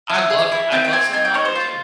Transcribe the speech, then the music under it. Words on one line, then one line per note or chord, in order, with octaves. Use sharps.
I loved I loved some Nautica too.
E4
G#4
E4
C4 G5
G5
C4 G#5
D#4 G#5
G5
D#4 C#5
C5
F4